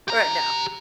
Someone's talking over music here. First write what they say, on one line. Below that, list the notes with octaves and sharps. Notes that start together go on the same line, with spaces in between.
Right now.
G4 A#5